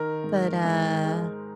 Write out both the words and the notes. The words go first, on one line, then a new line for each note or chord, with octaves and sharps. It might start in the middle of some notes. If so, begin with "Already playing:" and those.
But, uh
Already playing: D#3 A#4
G#2
G#2
G#3